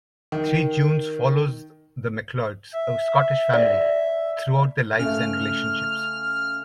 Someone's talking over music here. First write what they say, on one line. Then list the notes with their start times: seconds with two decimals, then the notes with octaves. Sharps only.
"Three Junes" follows the McLeods, a Scottish family, throughout their lives and relationships.
0.32 D#3
2.73 E5
3.54 D5
4.99 C#3 A3 F6